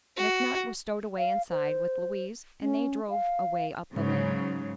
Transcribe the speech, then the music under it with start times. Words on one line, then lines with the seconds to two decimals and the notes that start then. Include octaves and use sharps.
McNutt was stowed away inside, with Louise, and they drove away up the lane.
0.16 F#4
1.18 F5
1.51 C5
2.62 C#4
3.10 F5
3.93 G#2 C#3 F#3